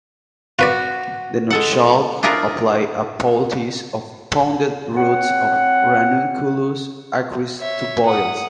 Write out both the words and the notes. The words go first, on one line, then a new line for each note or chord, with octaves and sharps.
The Nuxalk apply a poultice of pounded roots of Ranunculus acris to boils.
F4 F#4 B4 D5
G#3 A4 F#5
D4 E4 F4 G#4 A#4
C4 C#5 F#5
C#5 E5
F#5 D#6